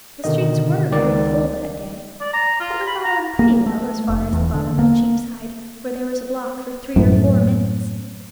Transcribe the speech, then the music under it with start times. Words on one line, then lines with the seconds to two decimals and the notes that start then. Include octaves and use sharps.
The streets were very full that day, but we got on pretty well as far as the bottom of Cheapside, where there was a block for three or four minutes.
0.24 B2 D3 D#3 D#5
0.91 C#2 D#3 D5
2.21 D5
2.33 A#5
2.60 F4
2.87 B5
3.04 A#5
3.39 A#3
3.66 A3
4.09 F1
4.33 E2
4.54 D3
4.79 A#3
6.96 F#2 A2